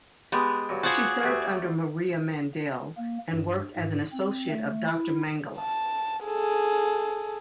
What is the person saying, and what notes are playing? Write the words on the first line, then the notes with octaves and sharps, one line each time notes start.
She served under Maria Mandel and worked as an associate of Doctor Mengele.
G#3 B3 G4 D#5 A5
G2 F#3
F4 F#4 G#4 C5 D5 F#5 A5
D2 A3 G4
A#3
G2
G#2
C4
A3
E4
A5
G#4 A4